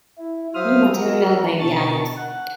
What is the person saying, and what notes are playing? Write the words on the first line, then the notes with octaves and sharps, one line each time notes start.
New material may be added.
E4
F#3 C5 E5 F5 D#6 F6
F#4 A#4
B2 D3 D#4 A5 C#6 A6
F#5